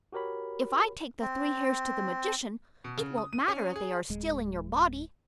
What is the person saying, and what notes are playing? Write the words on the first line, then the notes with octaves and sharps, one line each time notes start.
"If I take the three hairs to the Magician, it won't matter if they are still in your body."
F#4 G4 A#4 C#5 B5
C4
B2
C#3
D#6
D#7
C#4
G#4
D1 G#3